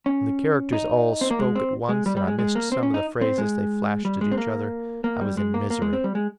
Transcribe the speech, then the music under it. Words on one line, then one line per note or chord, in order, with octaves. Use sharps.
When the characters all spoke at once and I missed some of the phrases they flashed at each other, I was in misery.
C#4
D#4
C4
A#3
G#3
C4
G#3
G3
G3
G#3
G#3
A#3
C4
C#4
D#4
C4
G#3
G3
G#3
C4
A#3
A#3
G3
G#3
A#3
A#3
G#3
C4
G3
G#3